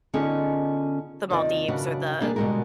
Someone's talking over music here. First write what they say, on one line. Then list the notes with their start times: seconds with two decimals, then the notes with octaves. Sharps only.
the Maldives or the,
0.14 D3 B3 C#4 D#4 F4 G#4
1.30 D#2 C3 D#3 F4 D5 D#5
1.68 F#2 C#3 D4 F#4 B4 F#5
2.20 B2 G3 A#3 D4 G4 G#4
2.36 B2 D3 G3 G#3 F#4 A#4